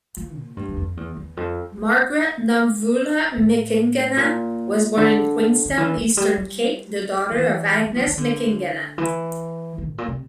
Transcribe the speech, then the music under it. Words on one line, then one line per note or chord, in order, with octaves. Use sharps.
Margaret Nomvula M'cingana was born in Queenstown, Eastern Cape, the daughter of Agnes M'cingana.
F3
A#2
G2
E2
F2
E2
E2
F2
A2
A#2
D3
D3
E3
F3
G3
G3
F3
E3
G3
F3
E3
D3
E3
E3
A2
A#2
C3